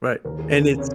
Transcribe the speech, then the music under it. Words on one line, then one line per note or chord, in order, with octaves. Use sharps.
Right. And it's
D#2 A#4
G#4
C#3 A#4
C3 C#5